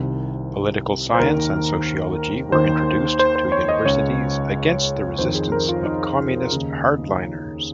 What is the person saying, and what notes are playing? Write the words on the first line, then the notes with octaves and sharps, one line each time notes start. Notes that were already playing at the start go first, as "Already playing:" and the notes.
Political science and sociology were introduced to universities against the resistance of communist hardliners.
Already playing: C2 C3 D#3
C5
D#2 D#3 A#4
D#2 D#3 C5
C5
C5
C#5
D#5
C#2 C#3 C#5
F2 D#3 C5
G#4
A#4
F4
D#4
D#2 C#3